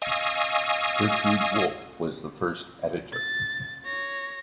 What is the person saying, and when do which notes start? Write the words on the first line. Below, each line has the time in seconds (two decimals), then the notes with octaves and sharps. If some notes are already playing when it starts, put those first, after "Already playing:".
Gertrude Wolff was the first editor.
0.02 D#5 F5 G#5 C#6 D#6 E6
3.13 A6
3.85 C#5 A#6